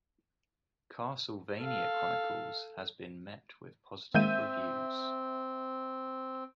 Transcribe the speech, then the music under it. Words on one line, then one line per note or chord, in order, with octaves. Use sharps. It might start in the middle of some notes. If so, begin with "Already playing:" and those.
"Castlevania Chronicles" has been met with positive reviews.
A4 F5
D#3 G#3 A#3 C4 E5 G6 D#7